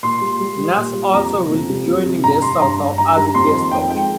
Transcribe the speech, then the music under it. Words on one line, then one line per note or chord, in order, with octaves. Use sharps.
Nas also will be joining the startup as a guest coach.
A#2 C6
G3
G3
G3
A#2
G3
F2 A#5
C3
F2
G3
F2
C3
G2 A#5
G2 C6
G2 A#5
G2
G2 A#5
G3 A#5
F2 C6
D#3
F2 G5
G#3 G5